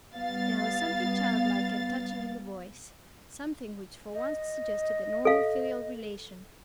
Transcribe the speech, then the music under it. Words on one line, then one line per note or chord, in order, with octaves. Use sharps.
There was something childlike and touching in the voice, something which for once suggested the normal filial relation.
G3 B3 F5 A6
D#5
A4 F5